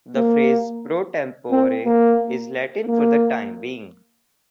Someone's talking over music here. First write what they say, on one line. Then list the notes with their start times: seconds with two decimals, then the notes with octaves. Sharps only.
The phrase "pro tempore" is Latin "for the time being".
0.16 A#3
1.51 C4
1.86 A#3
2.88 A#3